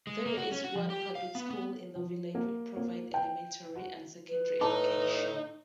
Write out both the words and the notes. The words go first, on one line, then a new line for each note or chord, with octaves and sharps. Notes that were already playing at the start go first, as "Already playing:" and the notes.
There is one public school in the village which provide elementary and secondary education.
G#3
A#3
F#4
C#4
F#4
F3
G4
F5
B3
B3
F3
A#3
A#3
G5
F#4
B4
A2 D#4 A5 B5 D6